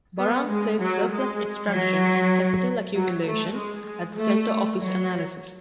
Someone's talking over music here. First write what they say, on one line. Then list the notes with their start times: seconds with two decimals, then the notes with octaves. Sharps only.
Baran placed surplus extraction and capital accumulation at the center of his analysis.
0.18 B3
0.49 G#3
0.79 F#3
1.10 G#3
1.71 F#3
2.95 F#3
3.25 A3
3.55 G#3
3.86 G#3
4.17 A3
4.78 F#3